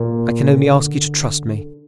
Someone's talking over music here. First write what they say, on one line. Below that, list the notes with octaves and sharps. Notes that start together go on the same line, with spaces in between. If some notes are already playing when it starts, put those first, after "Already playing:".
I can only ask you to trust me.
Already playing: A#2
D3